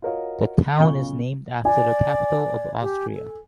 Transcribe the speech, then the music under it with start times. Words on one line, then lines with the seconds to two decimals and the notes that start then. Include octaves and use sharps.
The town is named after the capital of Austria.
0.02 F4 F#4 A#4 C#5 D#5 F5
0.79 B1 C#3 F4 G#4 C#6 G7
1.65 D5 G#5
2.82 G4
3.15 A4